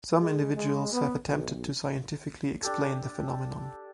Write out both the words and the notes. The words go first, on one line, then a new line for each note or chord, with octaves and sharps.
Some individuals have attempted to scientifically explain the phenomenon.
G#3
G#3
B3
B1
D4 G4 A4